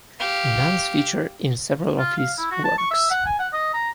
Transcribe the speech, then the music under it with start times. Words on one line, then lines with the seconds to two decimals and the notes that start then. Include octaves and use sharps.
Nuns feature in several of his works.
0.20 G4 F5
1.99 F4
2.17 F5
2.38 E4
2.51 F#4
2.64 A5
2.78 C#6
2.91 E5
3.11 F#5
3.26 G#5
3.39 F#5
3.53 D#5
3.74 A#5